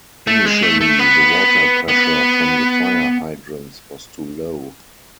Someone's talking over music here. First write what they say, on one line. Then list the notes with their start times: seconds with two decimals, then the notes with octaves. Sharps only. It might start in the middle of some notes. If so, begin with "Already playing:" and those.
Initially, the water pressure from the fire hydrants was too low.
0.27 A3
0.45 G#3
0.62 A3
0.81 A3
0.99 B3
1.88 B3